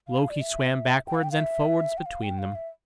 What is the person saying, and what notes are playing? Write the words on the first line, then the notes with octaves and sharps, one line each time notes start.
Loki swam backwards and forwards between them.
F5
D5
E5
G5
F5
G5
F5
E5
G5
F5
G5
F5
E5